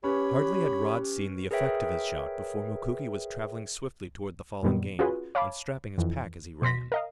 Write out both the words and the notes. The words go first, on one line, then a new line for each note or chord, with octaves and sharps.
Hardly had Rod seen the effect of his shot before Mukoki was traveling swiftly toward the fallen game, unstrapping his pack as he ran.
C#4 G4 B4 C#5 B5
G#4 A#4 B4 C#5 E5 G5
F#2 A#2 D#3 G3 B3 C4
C#4 F4 F#4 G#4 B4
C#5 F5 A5 B5 D6
F2 E3
B2 C6 A#6 B6
A#4 D#5 F5